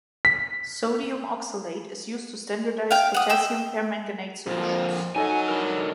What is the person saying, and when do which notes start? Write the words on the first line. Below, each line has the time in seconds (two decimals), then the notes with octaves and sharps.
Sodium oxalate is used to standardize potassium permanganate solutions.
0.25 B6
2.91 F5 G5
3.14 F#5 D#6
3.30 G5 E6
4.47 F2 A#2 F3
5.16 F#3 D#4 A4 D#5 G#5
5.49 D4 E4 A#4